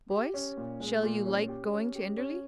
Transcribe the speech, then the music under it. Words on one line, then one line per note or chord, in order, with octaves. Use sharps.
Boys, shall you like going to Enderley?
G4
C#4
A#2
G#3
A#2
C#4
G4
C#4
G4
C#4